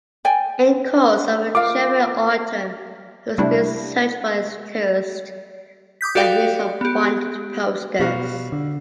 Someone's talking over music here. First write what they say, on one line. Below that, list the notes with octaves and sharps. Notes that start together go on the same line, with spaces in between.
In course of the German Autumn, he was being searched for as a terrorist by means of wanted posters.
D5 G5 G#5
F4 A#4 F5 D6
C3 G3 A3 D4 E4
D6 D#6 G6 B6
F#4 G4 A4 D5 F5 G5
B3 G4
B2 G3 F#4 F5
D3